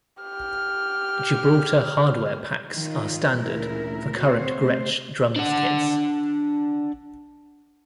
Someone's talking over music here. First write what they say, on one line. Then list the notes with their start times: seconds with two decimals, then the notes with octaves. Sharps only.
Gibraltar hardware packs are standard for current Gretsch Drums kits.
0.23 G4 F6
2.72 D#3 F4
3.35 D2 A#2 C#3 E3 E4 A#4
4.16 C4 F#4 C5 C#5
4.60 C3 A3 C5
5.36 D4 F#5